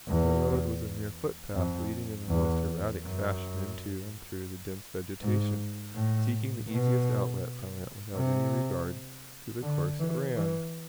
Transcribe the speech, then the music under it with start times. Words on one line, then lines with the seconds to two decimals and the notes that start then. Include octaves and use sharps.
The road was a mere footpath, leading in the most erratic fashion into and through the dense vegetation, seeking the easiest outlet from it without any regard to the course it ran.
0.08 E2
1.55 F2
2.29 E2
3.02 F#2
5.22 G#2
5.95 A2
6.69 B2
8.16 C3
9.62 D3
9.99 E3
10.36 E3